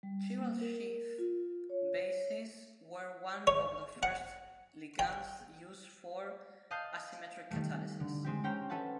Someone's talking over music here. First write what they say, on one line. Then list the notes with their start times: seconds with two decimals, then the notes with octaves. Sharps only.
Chiral Schiff bases were one of the first ligands used for asymmetric catalysis.
0.03 G3
0.38 A#3
0.61 A#4
1.18 F4
1.70 C#5
3.47 C#5
4.03 F#5
4.99 G5
6.71 D#5 F5 A5 F#6 G6 C7
7.51 D#3 G3 A3
8.00 D3
8.24 G#3 C4 G4
8.44 C#4 C5 G5 A#5
8.70 C#4 A4 B4 E5 F#5 A5